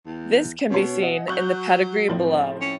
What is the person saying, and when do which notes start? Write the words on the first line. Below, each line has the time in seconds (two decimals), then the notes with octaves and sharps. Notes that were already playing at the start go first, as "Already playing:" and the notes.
This can be seen in the pedigree below.
0.06 E2
0.70 B2 C#4 C#5
1.02 D#5 F#5
1.28 F#3 C#6 F#6 G6
2.08 A2 F3 C4
2.61 C#4